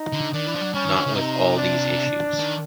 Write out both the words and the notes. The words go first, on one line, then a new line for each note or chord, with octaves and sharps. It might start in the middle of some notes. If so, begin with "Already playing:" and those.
Not with all these issues.
Already playing: D#4
D3
D#3 D4
E3
F3
F#3
G3 C#4
D#3
D3
C#3
C3 D#4
D4
D#3